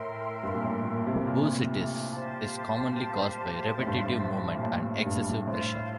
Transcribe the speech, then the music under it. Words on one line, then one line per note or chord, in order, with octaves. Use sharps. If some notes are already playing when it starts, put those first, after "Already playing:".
Bursitis is commonly caused by repetitive movement and excessive pressure.
Already playing: A2 A#4 E5 G5 C6
G2
A#2
A2
A#2
C3
A#2
G4 C5 F5 A5
A2
G2
A2
A#2
A2
A2
G2
A2 F4 C5 F5